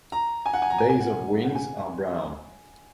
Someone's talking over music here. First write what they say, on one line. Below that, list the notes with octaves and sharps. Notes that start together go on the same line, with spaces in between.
Base of wings are brown.
A#5
G#5
F#5
G#5
A#5
G#5
G#5
F#5
F#5
G#5